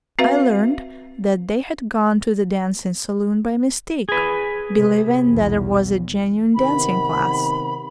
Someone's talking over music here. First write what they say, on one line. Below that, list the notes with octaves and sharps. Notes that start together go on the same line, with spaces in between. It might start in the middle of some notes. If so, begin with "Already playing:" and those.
I learnt that they had gone to the dancing saloon by mistake, believing that it was a genuine dancing class.
C4 F#4 B4 E5 F5
G#4 B4
C3
B1 E2
C3 D#3 B3 B5